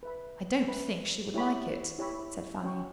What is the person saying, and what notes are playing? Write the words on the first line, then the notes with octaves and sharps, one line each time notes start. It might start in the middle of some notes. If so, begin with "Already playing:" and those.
"I don't think she would like it," said Fanny.
B4 E5 B5
B4 E5 B5
E4 G4 C#5 E5 B5
E4 G4 C#5 E5 B5
C#4 F#4 C#5 G5 C#6